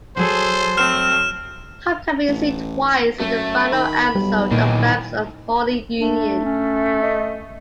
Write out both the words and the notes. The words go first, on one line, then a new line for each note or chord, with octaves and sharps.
Pop can be seen twice in the final episode of "Bam's Unholy Union".
F#3 G#4 A4 C5
A3 C4 F6 E7
A1
F#2 A3
D#3 B5
B1 G3
A#2 D#3 E3
A3 D4
C#4
D#5